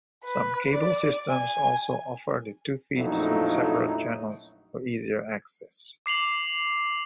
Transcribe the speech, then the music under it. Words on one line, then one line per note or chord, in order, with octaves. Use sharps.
Some cable systems also offer the two feeds on separate channels for easier access.
B4
D5
G#5
A#1 F2 F#3 A3 D#4 E4
D6 C7 F7 F#7